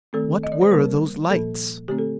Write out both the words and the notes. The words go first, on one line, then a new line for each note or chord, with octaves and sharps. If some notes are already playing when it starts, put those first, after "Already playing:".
What were those lights?
D#3 A3 C4 A4
D#5
D5
C5
C3 G3 A#3 A#4
A#2 F3 A#3 A4
D3 A3 C4 G4
A4